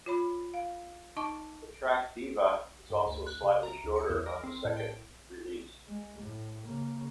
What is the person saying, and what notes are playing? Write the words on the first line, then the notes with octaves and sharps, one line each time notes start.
The track "Diva" is also slightly shorter on the second release.
F4 C#5 B5
F5
D#4 D#5 A5 C#6 D6
G2
D2
F#6
C3
A#5
D2
C#7
E2
A#4
C4
A2
G5
G#3
A2
C#3 A#3